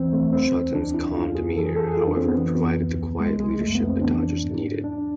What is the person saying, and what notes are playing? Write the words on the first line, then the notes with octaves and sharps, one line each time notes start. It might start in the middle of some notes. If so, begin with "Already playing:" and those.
Shotton's calm demeanor, however, provided the quiet leadership the Dodgers needed.
Already playing: E2 E3 C4
D2 A3
E2 C4
E2
D2 D4
D2 E4
F2 F4
F2 G#4
E3 A4
G#4
E2 A4
G#4
F2 F4
D4
F2 C4
B3
E3
F2
D2
D2
C2 G#3
C2 G#3
F2 A3
B3
F2
C4
E3 D4
F2
G#2
G#2
E2 D4